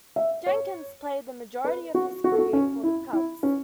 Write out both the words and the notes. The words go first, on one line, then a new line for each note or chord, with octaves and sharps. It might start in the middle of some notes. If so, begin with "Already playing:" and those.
Jenkins played the majority of his career for the Cubs.
E5
C#5
B4
F#4
F#4
A4
F#4
C#4
E4
E4
C#4